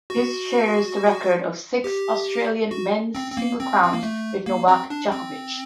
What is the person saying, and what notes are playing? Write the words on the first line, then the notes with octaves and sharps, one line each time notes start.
His shares the record of six Australian men's singles crowns with Novak Djokovic.
F#4
G4
F#4
C4
C4
A#3
C4
C4
A#3
A3
A#3
C4
D4
C4